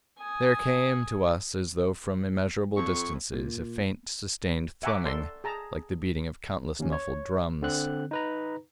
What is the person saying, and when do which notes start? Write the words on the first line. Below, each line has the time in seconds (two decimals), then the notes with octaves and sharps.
There came to us as though from immeasurable distances, a faint, sustained thrumming--like the beating of countless muffled drums.
0.19 G#5 D#6
2.76 F2 C#6
3.34 A#2
4.83 E5 F#5 G#5 A#5 C#6 D6
5.06 A4 D5 C6
5.44 G#4 A5 A#5
6.79 D#2 C#4
6.92 C#5
7.62 D3 C4 F#6
8.11 D#4 B4 A#5